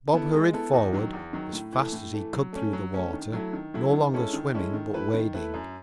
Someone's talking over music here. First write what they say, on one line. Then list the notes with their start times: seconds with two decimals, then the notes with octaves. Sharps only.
Bob hurried forward as fast as he could through the water, no longer swimming, but wading.
0.13 B3 E4 A4
0.33 G#3
0.53 B3 E4 A4
0.73 E2
0.93 D#3 F#3
1.13 E2
1.33 D#3 F#3
1.53 A2
1.73 E3 A3
1.93 A2
2.14 E3 A3
2.33 F#3
2.53 A3 C#4
2.73 F#3
2.94 A3 C#4
3.13 D#3
3.33 F#3 A3 E4
3.53 D#3
3.74 F#3 A3 E4
3.93 D#3
4.14 G#3 C#4 E4 A4
4.33 D#3
4.54 G#3 C#4 E4 A4
4.74 D#3
4.94 A3 E4 B4
5.14 D#3
5.34 A3 E4 B4
5.54 F#2